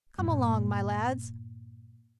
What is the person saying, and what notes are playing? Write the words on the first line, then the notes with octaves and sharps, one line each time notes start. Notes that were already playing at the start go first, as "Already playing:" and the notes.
Come along, my lads.
G2 A#2